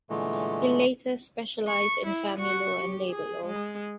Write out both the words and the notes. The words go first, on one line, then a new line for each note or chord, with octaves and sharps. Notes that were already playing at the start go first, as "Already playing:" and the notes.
He later specialised in family law and labour law.
A#2 D3 E3 G#3 A3
C#6
E4
F#4 C#6
G4
G#4
G#3